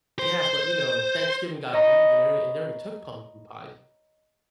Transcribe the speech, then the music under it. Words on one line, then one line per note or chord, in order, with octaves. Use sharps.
Yeah, but, you know, Thanksgiving got greedy, and r and they already took pumpkin pies.
C5
C#5 D#5 A#5 B5